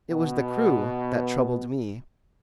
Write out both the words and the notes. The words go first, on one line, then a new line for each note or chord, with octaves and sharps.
It was the crew that troubled me.
B2 B3